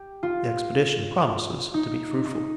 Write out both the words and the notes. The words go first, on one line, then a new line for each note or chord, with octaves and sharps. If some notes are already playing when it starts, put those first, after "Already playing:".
The expedition promises to be fruitful.
Already playing: G4
F4
D#4
D#4